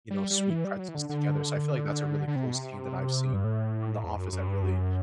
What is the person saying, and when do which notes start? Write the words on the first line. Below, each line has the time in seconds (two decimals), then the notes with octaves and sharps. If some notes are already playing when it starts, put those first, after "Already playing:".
you know, sweet pretzels together, so I feel like that's a really cool scene that I've seen from "The Office" that really,
0.10 G3
0.30 G3
0.50 E3
0.65 G3
0.79 F#3
0.88 E3
0.95 D3
1.09 D3
2.27 D3
2.36 C3
2.46 B2
2.55 C3
3.33 G2
3.44 A2
4.04 E2
4.18 F#2
4.32 F#2
4.47 G2
4.62 F#2